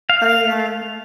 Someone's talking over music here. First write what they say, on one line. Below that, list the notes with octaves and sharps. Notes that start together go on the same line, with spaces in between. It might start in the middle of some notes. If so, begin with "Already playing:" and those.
Oh yeah.
F5